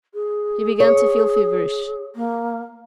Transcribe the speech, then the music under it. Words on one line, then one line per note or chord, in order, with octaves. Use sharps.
He began to feel feverish.
G#4
C#5
A#3